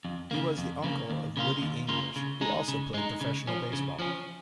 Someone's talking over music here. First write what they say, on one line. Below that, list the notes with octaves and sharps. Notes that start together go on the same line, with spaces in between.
He was the uncle of Woody English, who also played professional baseball.
F2
C#3 A#3
F2
C#3 A#3
D#2
C#3 A#3 F4
D#2
C#3 A#3 F4
C#3
G#3 D#4
C#3
G#3 D#4
C#3
F3 C#4
C#3
F3 C#4